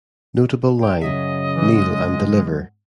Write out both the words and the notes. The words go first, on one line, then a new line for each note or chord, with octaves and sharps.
Notable line: Kneel and deliver!
G5
F#2 C#3 F#3 D#5 E5
E3
G#3